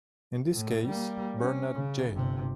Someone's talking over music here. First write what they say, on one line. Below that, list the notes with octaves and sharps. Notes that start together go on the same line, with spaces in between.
In this case, Bernard J.
A2
G3 A#3
C#4
C#3
G1 C3